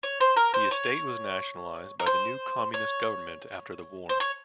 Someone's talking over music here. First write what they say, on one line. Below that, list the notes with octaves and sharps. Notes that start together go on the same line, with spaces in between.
The estate was nationalized by the new communist government after the war.
C#5
C5
A#4
C5
C#5
A#4
C5
C#5
C5
C#5